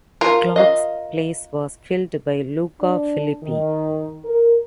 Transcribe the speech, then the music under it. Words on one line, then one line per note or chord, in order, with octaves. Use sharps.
Glock's place was filled by Luca Filippi.
F4 A#4 A#5
D#5 F5
D4
D#3
A#4